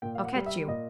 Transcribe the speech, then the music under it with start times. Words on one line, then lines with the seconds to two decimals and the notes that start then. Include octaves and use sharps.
I'll catch you.
0.02 A#2 G5
0.15 F5
0.25 F#5
0.35 G3
0.46 E5
0.68 A#2 D#5